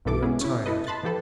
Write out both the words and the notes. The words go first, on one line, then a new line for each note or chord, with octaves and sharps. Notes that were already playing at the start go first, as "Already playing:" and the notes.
We are tired.
B1 G2 B2 E3 A4 D6
G#3 B3 C#4 E4 G#4
C#4 E4
E4 A4 B4 D#5
A5 B5 C6 F#6 A6
E3 F3 G4 A4 B4